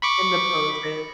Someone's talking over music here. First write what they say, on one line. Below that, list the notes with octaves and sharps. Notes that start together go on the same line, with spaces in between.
And the poses.
B5 C#6 D6